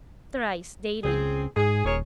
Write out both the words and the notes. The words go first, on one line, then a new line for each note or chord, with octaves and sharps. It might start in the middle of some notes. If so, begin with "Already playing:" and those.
Thrice daily.
C#2 C4 G#4
G#2 G#4
D#1 G#4 A#4 C#5